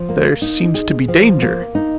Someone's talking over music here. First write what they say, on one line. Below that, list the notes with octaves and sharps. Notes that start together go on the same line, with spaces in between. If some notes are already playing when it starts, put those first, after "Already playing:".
"There seems to be danger."
Already playing: F3
A#3
D#4
G#4
F3
A#3
D#4